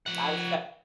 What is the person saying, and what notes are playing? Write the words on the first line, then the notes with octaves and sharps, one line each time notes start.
I was set f
F3 F#5